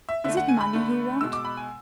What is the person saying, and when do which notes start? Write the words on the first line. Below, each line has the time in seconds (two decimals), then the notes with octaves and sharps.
Is it money you want?
0.09 E5
0.24 D3 A3 E5
0.37 F#5
0.48 G#5
0.61 B5
0.73 D3 A3
1.21 B2 G#3 E6
1.33 D6
1.45 B5
1.57 G#5